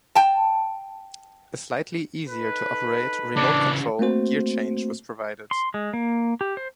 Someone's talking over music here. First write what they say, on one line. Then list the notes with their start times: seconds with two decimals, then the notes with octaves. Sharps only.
A slightly easier to operate remote-control gear-change was provided.
0.15 G5 A5
2.28 D#4 A4 B4
3.36 C#3 E3 D4
3.99 A3 A#3 C4 F#4 C5
5.51 C6
5.74 G#3
5.93 A#3
6.41 G4
6.57 C5